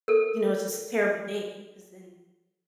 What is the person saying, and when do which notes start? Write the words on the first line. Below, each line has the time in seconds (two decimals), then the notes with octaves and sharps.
you know, it's just a terrible day because then
0.08 A4 A#4